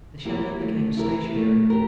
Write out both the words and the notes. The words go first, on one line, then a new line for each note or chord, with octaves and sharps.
The shadow became stationary.
A#3 E4 G4 A#4
A3
E4 G4 A#4
A3
G4 A#4